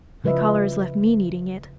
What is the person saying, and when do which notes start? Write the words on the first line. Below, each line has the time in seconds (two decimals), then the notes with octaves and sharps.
My caller has left me needing it.
0.24 C#3 F3 B4 D#5 E5